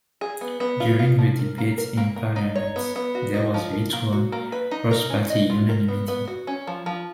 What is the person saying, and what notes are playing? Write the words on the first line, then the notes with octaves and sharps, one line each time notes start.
During the debates in Parliament, there was virtual cross party unanimity.
G#4
B3
B3
F4
F4
F3
A#4
A#3
A#4
A#3
A#3
D#4
C#5
B3
B3
F#4
D#4
F3
A#4
A#3
F#4
A#3
B4
D#4
A#4
C#4
D#5
F4
A#4
B3
B3
F#4
C#4
F3
F3